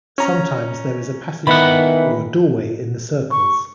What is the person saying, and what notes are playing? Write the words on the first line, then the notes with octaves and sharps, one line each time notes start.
Sometimes there is a passageway, or a doorway, in the circles.
C#4 A#5
D#3 E3 B3 F#5 B5
C#6